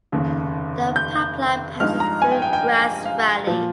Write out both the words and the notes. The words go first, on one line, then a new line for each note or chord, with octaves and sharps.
The pipeline passes through Grass Valley.
F1 D#2 C#3
G6
G2 F3 G#3 D#4 F6
A#5
G#5
G5
G5
G5
F5
A#2 F3